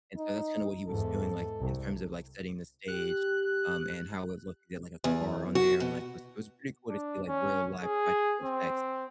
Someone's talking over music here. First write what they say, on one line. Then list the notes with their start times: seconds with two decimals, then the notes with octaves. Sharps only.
and so that's kinda what he was doing, like, in terms of, like, setting the stage, um, and how it was looking, he had like a car on there and, like, it was it was pretty cool to see, like, real live practical effects,
0.18 D#4
0.87 E2 G#2 A4
1.59 C2
2.88 G4 F#6
5.04 E2
5.55 F#4
5.80 B2
6.89 D4
7.28 C#4
7.83 G#4
8.43 C4